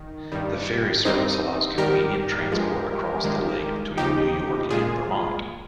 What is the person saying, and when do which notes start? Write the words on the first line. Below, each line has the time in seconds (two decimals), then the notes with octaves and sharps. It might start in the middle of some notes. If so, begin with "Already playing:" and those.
The ferry service allows convenient transport across the lake between New York and Vermont.
Already playing: D#3
0.32 G2 D#3 G3
1.05 G2 G3 C4 D#4
1.78 G#2 D#3 G3 G4 A#4
2.52 G2 F3 G#3
3.24 G2 D#3 G#3
3.97 D#2 C#3 F3 D#4 G4
4.70 A#2 G#3 F4 G#4